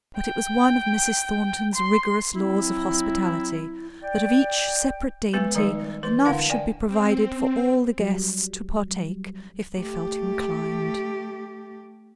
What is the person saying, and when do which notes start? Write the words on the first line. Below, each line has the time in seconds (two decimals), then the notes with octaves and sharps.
But it was one of Mrs. Thornton's rigorous laws of hospitality, that of each separate dainty enough should be provided for all the guests to partake, if they felt inclined.
0.17 G5
1.75 C6
2.34 F#3 C4 E4
4.03 D5 G5
5.34 G#3 B3 B4
5.55 D#3 F3 G3 G#3 D#4
5.85 G3
6.03 E3 B4 C6
6.25 D3 D4 E4 F5 F#5 C6
6.50 D5 G5 G#5
6.87 C4
8.00 F#3 G3
9.79 A3 G4